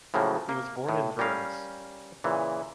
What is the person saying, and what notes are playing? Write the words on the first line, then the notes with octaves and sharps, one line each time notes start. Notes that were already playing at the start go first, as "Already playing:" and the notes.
He was born in Worms.
A2 C#3 F3 F#3 A#3
A#3
A2
G3 C#4 A#4 F5
A#2 C#3 E3